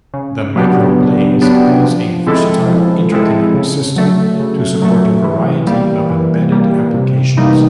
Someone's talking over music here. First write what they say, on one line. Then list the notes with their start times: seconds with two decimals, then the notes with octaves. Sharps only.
The MicroBlaze has a versatile interconnect system to support a variety of embedded applications.
0.14 C#3
0.56 F#3 B3 D4 G4
0.99 C#3
1.42 F#3 B3 D4 G4
1.84 F3
2.27 G#3 C4 E4 A4
2.69 F3
3.12 G#3 C4 E4 A4
3.54 C#3
3.96 F#3 A3
4.40 C#3
4.82 F#3 A3
5.24 E3
5.67 G3 A#3
6.10 E3
6.52 G3 A#3
6.94 C3
7.37 E3 G3 A#3 D#4